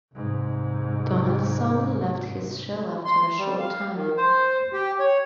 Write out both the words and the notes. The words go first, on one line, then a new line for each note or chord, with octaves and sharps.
Donaldson left his show after a short time.
C2 G#2
C6
G3
F5
D#3
C5
G4
C#5